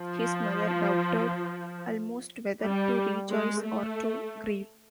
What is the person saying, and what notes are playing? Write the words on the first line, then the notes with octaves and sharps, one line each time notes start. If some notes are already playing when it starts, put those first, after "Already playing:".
His mother doubted almost whether to rejoice or to grieve.
Already playing: F3
G3
G#3
A3